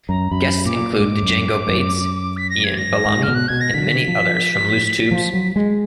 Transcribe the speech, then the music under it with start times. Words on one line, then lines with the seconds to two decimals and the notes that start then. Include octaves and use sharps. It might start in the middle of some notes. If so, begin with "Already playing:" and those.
Guests included Django Bates, Iain Ballamy and many others from Loose Tubes.
0.09 F#2 A#5
0.31 F#2 B5
0.66 A#2 D6
1.00 G#2 D6
1.22 F#2
1.68 F#2
2.37 B6
2.50 A#6
2.64 G#6
2.77 A#6
3.05 G#2
3.23 F6
3.28 B2
3.35 F#6
3.48 B2 G#6
3.61 A#6
3.74 D3 B6
4.08 F3
5.11 F3
5.34 F#3
5.56 G#3